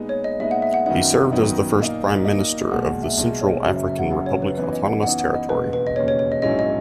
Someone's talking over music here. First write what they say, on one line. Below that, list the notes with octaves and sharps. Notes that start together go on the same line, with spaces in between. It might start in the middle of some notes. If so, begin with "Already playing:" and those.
He served as the first Prime Minister of the Central African Republic autonomous territory.
Already playing: A#2 G#3 B3 D#4
C#5
D#5
A#2 G#3 B3 D#4 E5
F#5
E5
F#5
F#2 D#3 F#3 B3 D#4 F#5
F#2 D#3 F#3 B3 D#4
A#2 A#3 D#4
A#2 A#3 D#4
B1 A#2 G#3 F#5
F#5
E5
B1 A#2 G#3 D#5
C#5
F#1 F#2 C#3 F#3
E5
E5
F#5
F#1 F#2 C#3 F#3 F#5
C#5
B4
F#2 E3 B3 D#4 B4
D#5
F#5
F#2 E3 B3 D#4 F#5
F#5
D#5
E1 D#2 C#3 B4
B4
D#5
E1 D#2 C#3 C#5
C#5
C#5
D#5
A#1 G#2 F#3 C#4 E4 D#5
D#5